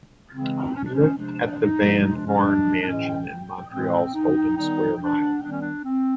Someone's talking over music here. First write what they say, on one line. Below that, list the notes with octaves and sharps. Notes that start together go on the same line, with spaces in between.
He lived at the Van Horne Mansion in Montreal's Golden Square Mile.
C#3 E3 G#3 C4
C#4
D4
C#4
C3 F3 G#3 D4
D#4
C3 F3 G#3 D#4
D4
C#4
D4
D4
A2 E3 G#3 C#4
A2 E3 G#3 C4
D#4
D#3 G3 B3 D#4
D4
D#3 G3 B3 D4
C#4
D4
C4